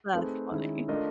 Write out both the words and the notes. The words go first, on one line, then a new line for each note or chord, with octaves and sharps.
That's funny.
A3 C4 D#4 G#4 B4
D#3 G#3 C#4 E4
A3 D4 F4 A#4 D#5